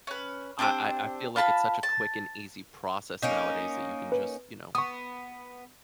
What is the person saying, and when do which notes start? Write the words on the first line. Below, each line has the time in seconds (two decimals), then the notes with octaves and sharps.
I I I feel like it's such a quick and easy process nowadays that you can just, you know,
0.07 C#4 B4
0.59 C4 D4 G4 C5
1.36 F4 B4 A5 B5
1.83 A5
3.22 A#3 C#4 D#4
4.12 B4
4.75 B3 C#6 D#6